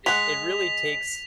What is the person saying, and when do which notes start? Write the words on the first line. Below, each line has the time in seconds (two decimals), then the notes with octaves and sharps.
it it really takes
0.06 G#3 F#5 B6 F7